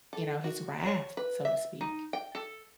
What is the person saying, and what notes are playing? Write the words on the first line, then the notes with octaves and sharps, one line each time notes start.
you know, his wrath, so to speak.
A4
F#4
C#5
B4
E5
D#4
G5
A4